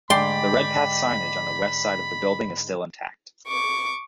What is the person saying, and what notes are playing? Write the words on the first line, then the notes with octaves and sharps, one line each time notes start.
The Redpath signage on the West side of the building is still intact.
G#2 D3 D5 G5 B5 C6
C#6 D6